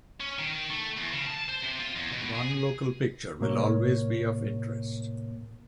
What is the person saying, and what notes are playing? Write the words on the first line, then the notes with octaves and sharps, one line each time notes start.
One local picture will always be of interest.
C#4
D#3
A3
E2
C#3
A5
C5
C3
F4
E2
B2
G#4
A2 C3 A#3 C#5